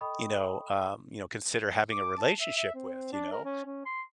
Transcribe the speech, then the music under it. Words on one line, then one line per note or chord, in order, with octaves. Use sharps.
you know, um, you know, consider having a relationship with, you know?"
A4 D#5 G5 B5 C#6 D#6
D6
A5
E5
E5
C4
D4
A#4
C#4
C#4
C6